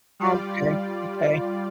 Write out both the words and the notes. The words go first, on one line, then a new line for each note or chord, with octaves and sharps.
Okay, okay.
G3 F4 D5